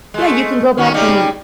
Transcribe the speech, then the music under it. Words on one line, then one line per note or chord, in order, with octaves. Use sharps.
Yeah, you can go back and
G#3 A3
D#3 C#4 F#4
C#3 G3 D#4